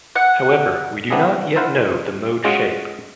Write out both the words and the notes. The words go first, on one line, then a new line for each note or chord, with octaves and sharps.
However, we do not yet know the mode shape.
F#5
C3 G3 B3 D4 E4 G#4
E4 A#4 C5 F5 F#5
G#3 C#4 F4 F#4 G#4